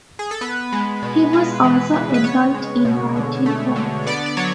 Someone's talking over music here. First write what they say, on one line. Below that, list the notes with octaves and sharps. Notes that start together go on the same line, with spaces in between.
He was also employed in writing plays.
G#4
A4
B3 B4
G#3
B2
G#3
E3
C#3
B4
B3 C#5
G#3
B2
D3
A3
D3
B3 D5
D5
F#3 C#5